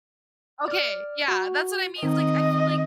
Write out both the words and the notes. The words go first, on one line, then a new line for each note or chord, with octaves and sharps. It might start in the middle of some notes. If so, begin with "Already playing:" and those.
Okay. Yeah, that's what I mean it's like, I feel like
D5 F6
F#4
D#3 C4 D#5